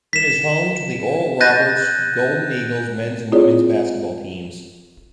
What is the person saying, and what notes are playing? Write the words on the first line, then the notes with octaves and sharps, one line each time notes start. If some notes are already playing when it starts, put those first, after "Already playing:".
It is home to the Oral Roberts Golden Eagles men's and women's basketball teams.
B6 E7
F#6 G6 A6 A#6 D#7
C4 E4 F4 G#4 C#5 D5